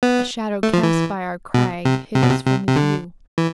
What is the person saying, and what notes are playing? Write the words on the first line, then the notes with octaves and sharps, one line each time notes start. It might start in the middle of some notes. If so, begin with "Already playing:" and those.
A shadow cast by our crag hid us from his view.
B3
A3
F3
E3
B2
C3
C3
B2
C3
C3
C3
D3
E3